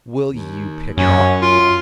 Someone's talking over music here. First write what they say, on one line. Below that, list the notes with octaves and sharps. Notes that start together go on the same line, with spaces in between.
'Will you pick it up?'
D#2
F#2 C#4
F4